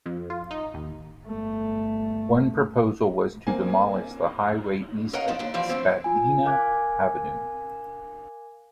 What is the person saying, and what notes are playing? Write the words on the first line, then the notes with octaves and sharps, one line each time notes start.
One proposal was to demolish the highway east of Spadina Avenue.
F2
F4
D#4
D#2
G1 A3
A#3 C4 G#5
A#4 C#5 D#5 F5 F#5 A#5
D#3 F3 D4 D#4
D#2 D4
F2 E3 F3 F#4 D5
A2 D3 C4 D4
F4 G#5
A#4 F5 G#5 D6 F#6 G#6